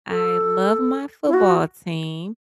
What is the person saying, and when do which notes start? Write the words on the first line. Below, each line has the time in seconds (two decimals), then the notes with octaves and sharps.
I love my football team.
0.10 A4
1.28 E4
1.34 F#4